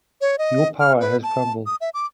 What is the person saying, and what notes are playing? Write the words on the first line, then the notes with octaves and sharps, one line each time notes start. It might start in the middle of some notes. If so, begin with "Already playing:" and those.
Your power has crumbled.
C#5
D#5
F6
B4
A5
D#6
E5
D6